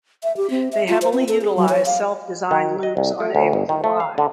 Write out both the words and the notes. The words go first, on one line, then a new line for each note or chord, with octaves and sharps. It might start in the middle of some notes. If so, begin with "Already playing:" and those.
They heavily utilize self-designed loops on Ableton Live.
E5
G4
C4
E5
F4
C5
C4
A4
G#4
F#3
C#5
F5
D#3
D#5
C2
A3
D2
G1
D#3
A3
F5
D3